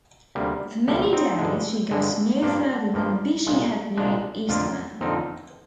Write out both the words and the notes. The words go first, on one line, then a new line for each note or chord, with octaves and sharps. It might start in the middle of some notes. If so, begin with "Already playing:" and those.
For many days she got no further than Beachy Head near Eastbourne.
D2 C3 G3 A#3
D2 C3 G3 A#3 D4
C4 D#4
G2 D3 G#3
G2 D3 G#3
G2 F3 A#3 D4
G2 F3 A#3
C2 A#2 G#3
C2 A#2 G#3 D4
F2 D3 F3 A#3 D4 F4
F2 D3 F3 A#3 C4 D#4